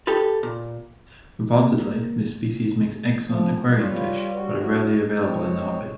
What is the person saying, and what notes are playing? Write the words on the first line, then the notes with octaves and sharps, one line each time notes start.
Reportedly this species makes excellent aquarium fish but are rarely available in the hobby.
G4 A4 B4
A#2
A#3
F3
G3
F4 B4 C#5
D2 F#4
G#3 C4 C#5